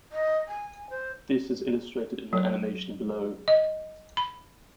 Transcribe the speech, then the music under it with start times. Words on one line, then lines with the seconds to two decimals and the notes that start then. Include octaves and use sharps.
This is illustrated in the animation below.
0.12 D#5
0.48 G#5
0.90 C5
2.33 F#3
3.48 D#5
4.17 B5